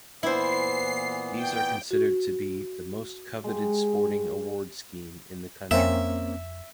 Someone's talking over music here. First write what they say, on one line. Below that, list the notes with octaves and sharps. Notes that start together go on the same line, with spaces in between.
These are considered to be "the most coveted sporting award scheme in the country".
A#2 E3 B3 E4 C5 C7
G5
F#4
G#3 G4
F2 A#3 C4 C#4 E5